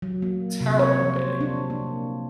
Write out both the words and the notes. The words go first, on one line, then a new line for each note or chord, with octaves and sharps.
Terrible writing.
F#3
A#3
C3
C#5
F3
C5
D4
A#3